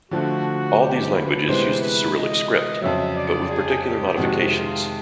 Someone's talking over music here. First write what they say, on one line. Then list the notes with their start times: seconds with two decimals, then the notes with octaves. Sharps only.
All these languages use the Cyrillic script, but with particular modifications.
0.11 D3 F3 A3 F#4
0.79 G4
1.13 B4
1.47 C3 E3 G#3 B3 C5
1.80 B4
2.14 D#5
2.81 F2 C#3 F#3 E5
3.16 D5
3.49 G#4
3.83 G4
4.17 F2 C3 D#3 G#3 F#4
4.50 F4